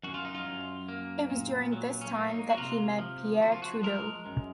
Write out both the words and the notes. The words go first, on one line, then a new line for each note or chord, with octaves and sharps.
It was during this time that he met Pierre Trudeau.
F#2 F#4
F4
D#4
F4
F#2
A#3
A#2
F#3
C#4
A#3
D#4
F#4
C3 F4
F3
F3 F#4
F4
F#4
G#3 A#4
F#2